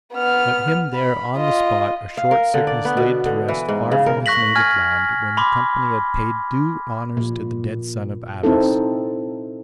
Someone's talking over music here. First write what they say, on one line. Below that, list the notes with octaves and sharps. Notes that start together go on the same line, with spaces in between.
But him there on the spot a short sickness laid to rest far from his native land, when the company had paid due honours to the dead son of Abas.
B3 F6
B5
F4 D#5
F5
A#4
D3
D5
B3
B2
D3
E3
G#2
C#3
A#4
C#6 F#6 A#6 B6 F#7
G#5 F6 G#6
B5 C6 D6
A#2
C4 D#4 E4 A4